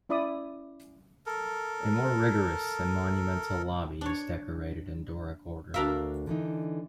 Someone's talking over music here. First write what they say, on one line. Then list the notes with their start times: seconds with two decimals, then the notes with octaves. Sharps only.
A more rigorous and monumental lobby is decorated in Doric order.
0.09 C#4 E4 D5 B5 D#6
1.26 A4 A#4
4.01 D4 C#5
5.74 D2 D4 F#4 A#4 E5 F5
6.27 D3 E3 D#4